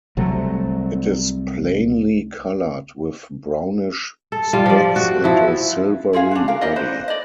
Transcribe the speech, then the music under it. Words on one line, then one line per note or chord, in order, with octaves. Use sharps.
It is plainly coloured with brownish spots and a silvery body.
C2 C3 F#3 A3
A4
G3 F4
F3 D5
F#4
F3 E4
E4 F4 G#4 F5
D4 F#4
A#4 F5
D#4 E4 D5 D#5
B4 C5
D5 D#5